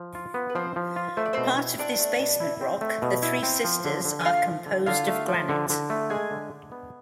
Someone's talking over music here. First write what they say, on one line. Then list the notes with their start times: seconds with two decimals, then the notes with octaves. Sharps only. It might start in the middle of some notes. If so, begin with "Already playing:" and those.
Part of this basement rock, the Three Sisters are composed of granite.
Already playing: F3
0.15 F4
0.34 B3
0.50 B4
0.55 F3 C4 C5
0.76 F3
0.96 F4
1.17 A3 C5
1.26 D5
1.33 B2 C4 C5
1.58 E4
1.79 C4 D4 D5
1.99 A3
2.20 B2
2.40 E4
2.61 C4
2.81 A3
3.02 B2
3.23 E4
3.43 C4
3.64 F3
3.85 D3
4.05 D3
4.21 G#5
4.25 A3 F4 F5
4.46 F3
4.66 D3
4.86 D3 F4 F5
5.08 A3
5.28 F3
5.49 D3
5.70 D3
5.90 A3
6.10 G#3 G#4 G#5
6.31 D3
6.51 D4
6.72 B3